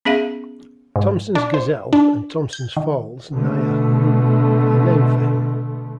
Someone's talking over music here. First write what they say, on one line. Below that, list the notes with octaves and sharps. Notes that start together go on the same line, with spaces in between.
Thomson's Gazelle and Thomson's Falls, Nyahururu are named for him.
B3 C#4 G#4 E5 F5
G#2
D4
C5
D4
G6
D#3
B2 D3 A3